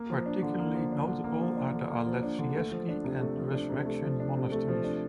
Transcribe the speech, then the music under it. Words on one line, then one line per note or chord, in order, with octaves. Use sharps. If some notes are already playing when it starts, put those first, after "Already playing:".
Particularly notable are the Alexeievsky and Resurrection monasteries.
Already playing: A#3
F3
D4
D3
A#3
F3
D4
D3
A#3
F3
D4
D3
A#3
F3
D4
D3
A3
F3
D4
C3
A3
F3
D4
C3
A3
F3
D4
C3
A3
F3
D4